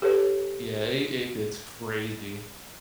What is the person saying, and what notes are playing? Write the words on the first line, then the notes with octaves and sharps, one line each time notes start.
Yeah, it it gets crazy.
G4 A4 B4 C#5